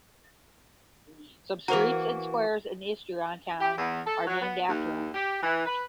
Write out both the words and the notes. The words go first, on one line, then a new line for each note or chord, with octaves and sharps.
Some streets and squares in Istrian towns are named after him.
E3 A#3 F#4 A#4 C5 A#5
G4
E2
A4
F#3
B3
D#2
G4
E3
B4